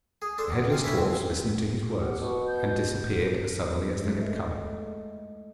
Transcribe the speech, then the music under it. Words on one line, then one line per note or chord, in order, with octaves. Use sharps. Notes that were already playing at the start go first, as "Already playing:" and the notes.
The headless dwarfs listened to his words and disappeared as suddenly as they had come.
G#4
D4 A4 C5
E2
C3 F5 G#5
E4 B4 C#5 E5
C4
G4 F#5
B2 C#6
G6
G#3 A3